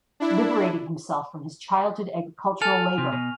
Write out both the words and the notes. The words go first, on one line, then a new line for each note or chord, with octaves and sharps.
Liberating himself from his childhood agricultural labor.
D4 E4
A4 G#5 F6 F7
C3
B2